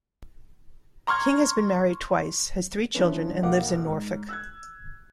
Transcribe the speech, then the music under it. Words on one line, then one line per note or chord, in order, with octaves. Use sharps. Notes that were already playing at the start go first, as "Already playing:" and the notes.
King has been married twice, has three children and lives in Norfolk.
A#5 C6 C#6 F6 G#6
D3 E3 F3 B3 C#4
F1 B1 A#3 F5 F#5 D6
G#2
E6 F#6 G#6